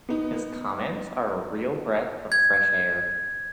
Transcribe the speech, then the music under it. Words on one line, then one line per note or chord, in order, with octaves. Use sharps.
His comments are a real breath of fresh air.
B3 D#4
G#6